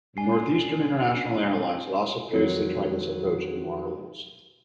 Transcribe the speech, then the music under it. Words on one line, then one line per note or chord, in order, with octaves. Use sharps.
Northeastern International Airlines had also previously tried this approach in New Orleans.
C#4 D4 G#5 C7
F2 D#3 F#3